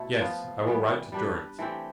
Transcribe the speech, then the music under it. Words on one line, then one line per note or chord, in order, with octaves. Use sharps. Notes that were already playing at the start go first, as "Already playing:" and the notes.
"Yes, I will write to Durrance."
Already playing: B2 A3 E4
F3 B3 F4
E3 G3 B3
G3 D4 G4 B4
E3 A3 C4 G4